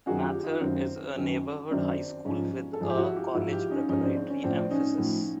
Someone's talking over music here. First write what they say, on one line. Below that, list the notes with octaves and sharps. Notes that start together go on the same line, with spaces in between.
Mather is a neighborhood high school with a college preparatory emphasis.
F#2 D#3 F#3 F#4 G#4
F4 G4
D#4 F4
F#2 D#3 F#3 C4
F#2 D#3 F#3 C#4
F#2 D#3 F#3 C4 D4
G#2 F3 C#4
A4
G#2 F3 G#4
G4
E4 F#4
F4 G4
G#2 F3 E4 F#4
F4 G4
C#4 D#4
G#2 F3 C#4 D#4
C4 D4
C4
C#4
A2 F3 C4 D4
C#4 D#4
A2 F3